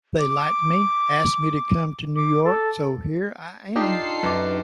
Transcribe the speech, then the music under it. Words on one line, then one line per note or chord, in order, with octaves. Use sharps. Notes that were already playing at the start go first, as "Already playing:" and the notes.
They liked me, asked me to come to New York, so here I am!
D6
D6
A4
D4 D#4 F4 G4 A4 C7
F#2 B4 D6